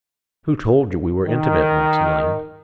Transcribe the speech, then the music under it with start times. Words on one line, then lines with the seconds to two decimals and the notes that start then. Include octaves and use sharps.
"Who told you we were intimate, Maximilian?"
1.25 D#3